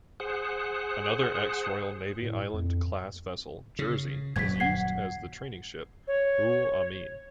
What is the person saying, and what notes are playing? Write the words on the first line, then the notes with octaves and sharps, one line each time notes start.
Another ex-Royal Navy Island-class vessel, "Jersey", is used as the training ship, "Ruhul Amin".
G#4 C5 F#5
A2
F2
C#3
D#1 F#2 F#3 G#6 B6
F#5 G#6 C7
C#5